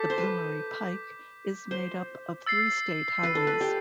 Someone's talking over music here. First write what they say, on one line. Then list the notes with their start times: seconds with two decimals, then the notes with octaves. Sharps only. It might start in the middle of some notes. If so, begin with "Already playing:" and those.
The Bloomery Pike is made up of three state highways.
Already playing: A4 D6 G6 B6
0.10 C5
0.18 B4
1.71 C5
2.46 E6 A6 C7
3.23 B4
3.35 A4
3.47 B4
3.61 G4